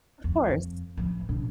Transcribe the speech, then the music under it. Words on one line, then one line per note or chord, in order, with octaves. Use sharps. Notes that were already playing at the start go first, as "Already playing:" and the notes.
Of course.
F2
E3 F3
B2 D4